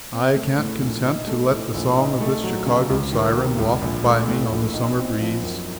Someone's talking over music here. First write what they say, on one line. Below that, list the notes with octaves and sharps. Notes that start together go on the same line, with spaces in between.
'I can't consent to let the song of this Chicago siren waft by me on the summer breeze.
C4
A3
A2
A#1
D#4
A3
A2
A#1
D#4
A3
F#3
C#3
C#2
D#3
C3
C#2
A#1
A3
A2
A#1
D#4
C4
F3
F#2